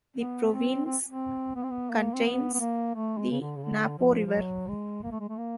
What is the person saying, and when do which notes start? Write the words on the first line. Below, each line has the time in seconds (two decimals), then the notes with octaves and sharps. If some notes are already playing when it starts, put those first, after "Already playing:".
The province contains the Napo River.
0.17 B3
0.51 C4
0.86 C4
1.07 C4
1.56 B3
1.63 C4
1.71 B3
1.90 A#3
2.14 C4
2.26 B3
2.54 B3
2.60 A#3
2.94 A3
3.18 G#3
3.31 C#3
3.41 D3
3.56 C#3
3.64 D3
3.99 F3
4.26 F3
4.33 F#3
4.68 G#3
5.03 A#3
5.11 A3
5.20 G#3
5.29 A3
5.38 A#3